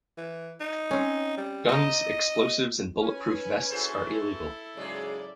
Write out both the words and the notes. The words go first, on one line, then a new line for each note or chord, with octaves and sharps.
Guns, explosives and bulletproof vests are illegal.
E3
D#4
C4 C#4
G3
D#4 C5 D#5
C#4 B4 G#5
E4 F#4 G#4 A4 C5
G#2 C#3 F#3 G#3 G#4 D5